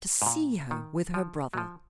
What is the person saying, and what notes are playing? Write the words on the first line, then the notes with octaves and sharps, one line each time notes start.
To see her with her brother!
G#2
A#2
D#3
F3
F#3
F3